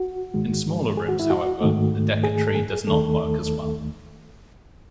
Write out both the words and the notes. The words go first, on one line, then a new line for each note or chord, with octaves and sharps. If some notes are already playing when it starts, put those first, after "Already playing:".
In smaller rooms however, the Decca Tree does not work as well.
Already playing: F#4
G#2 D#3 G#3
G#4
F#4
E4
F#4
G#2 D#3 A3
G#4
A4
G#4
D#2 D#3 A3 A4